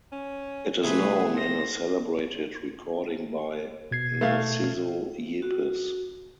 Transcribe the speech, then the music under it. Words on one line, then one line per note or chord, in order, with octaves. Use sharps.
It is known in a celebrated recording by Narciso Yepes.
C#4
C3 A3 G#4 B4 E5
C5 A#6
B2 G#6 C7
A3 F5
F#4